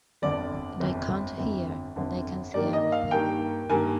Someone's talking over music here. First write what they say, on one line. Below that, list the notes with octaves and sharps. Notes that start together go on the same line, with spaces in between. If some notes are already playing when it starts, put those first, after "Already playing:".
They can't hear, they can see everything.
G1 F2 D3 D5
G1 F2 D3
G1 F2 D3
G1 F2 D3
G2 D#3 A#3 D5
D#5
F5
G2 D#3 A#3 G5
G2 D#3 A#3 G#5